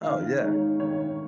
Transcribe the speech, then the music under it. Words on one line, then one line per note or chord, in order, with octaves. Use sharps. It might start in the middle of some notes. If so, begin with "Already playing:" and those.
Oh, yeah.
D#3 F5
G#3 D#4 C#5
D#3 C#5